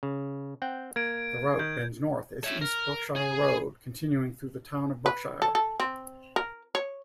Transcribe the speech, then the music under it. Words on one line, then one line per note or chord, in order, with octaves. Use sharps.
The route bends north as East Berkshire Road, continuing through the town of Berkshire.
C#3
C4 F#5 G5
A#3 G#6 D7
D#3 G6
C#5 E5
A#4
G#4
B4
A4
A4
C4
A#4
C#5